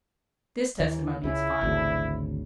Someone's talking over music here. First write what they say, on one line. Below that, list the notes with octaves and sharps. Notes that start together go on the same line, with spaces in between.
This testimony is final.
D#2 E3
C#2 F#3 C#4 E4
G#1 D2 C#3